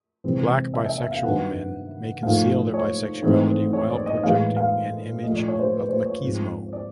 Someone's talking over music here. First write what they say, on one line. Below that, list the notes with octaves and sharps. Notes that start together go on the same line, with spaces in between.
Black bisexual men may conceal their bisexuality while projecting an image of machismo.
C3 E3 G#3 C4
E5
E5
E5
F5
G2 D#3 F#3 B3 F#5
G#2 F3 A3 F5
C#5
G#2 E3 A3 C4
C#5
D5
D#5
A2 E3 G#3 B3 F5
F5
A#2 F3 A3 D#5
D5
C#5
C5
B4
C5
C#5
G#2 F3 G#3 C4
D5